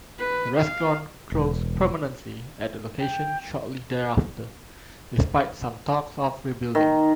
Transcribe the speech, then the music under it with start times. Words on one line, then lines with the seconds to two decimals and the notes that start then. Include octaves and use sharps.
The restaurant closed permanently at that location shortly thereafter, despite some talk of rebuilding.
0.18 B4
0.58 F5
1.32 E1
3.00 G5
6.75 D#3